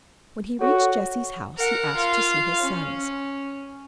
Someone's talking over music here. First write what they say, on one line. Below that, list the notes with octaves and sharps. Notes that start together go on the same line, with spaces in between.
When he reached Jesse's house, he asked to see his sons.
F#4 A4 C#5
A#4 F#5
F4 F5
C#4